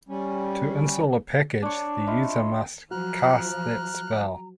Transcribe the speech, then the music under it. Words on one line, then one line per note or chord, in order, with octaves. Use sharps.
To install a package the user must "cast" that spell.
G3 C#4
D4 C#5
E4 F4 D#5
F3 F#3 F#4 A#5 F6 F#6